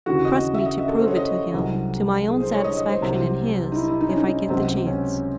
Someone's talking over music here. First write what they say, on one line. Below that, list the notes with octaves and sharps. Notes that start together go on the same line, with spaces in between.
Trust me to prove it to him,--to my own satisfaction and his,--if I get the chance.
D#2 C#3 E3 F#4
D#5
E5
D#5
E5
A4
C5
C#5
D#5
C2 C3 F#3
G#4
C5
C#5
D#5
D#5
C5
C2 C3 F#3
D#4
E4
E4
D#4
C#4
D#4
C#2 C3 F#3 C4
C#4